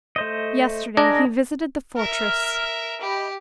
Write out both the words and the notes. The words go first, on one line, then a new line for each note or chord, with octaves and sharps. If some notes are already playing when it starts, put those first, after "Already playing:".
Yesterday he visited the fortress.
A3 C5 D#5
D4 G#4 A#4 D#5
A#4 E5 F6
G4 D#5 G5 B5